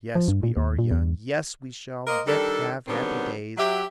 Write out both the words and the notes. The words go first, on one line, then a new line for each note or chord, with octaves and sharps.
Yes, we are young; yes, we shall yet have happy days!
F3
G2
A#2
D#2
A#2
E2
A#3 A#4 C5 D#5
D#3 G3 D4 A4
D3 D#3 F#3 G3 B3 C4
F#3 G4 E5